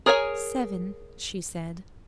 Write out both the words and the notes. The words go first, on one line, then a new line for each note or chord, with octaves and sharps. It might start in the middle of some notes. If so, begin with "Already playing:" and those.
"Seven," she said.
G#4 A#4 C#5 D5 G#5